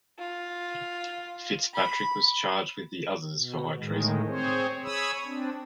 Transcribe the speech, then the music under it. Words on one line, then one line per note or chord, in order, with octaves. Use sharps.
FitzPatrick was charged with the others for high treason.
F4
B5
B2
A2 D#3 G#3
C4 G#4 C5 C#5
G#4 C#5 B5 D#6 E6
C4 D4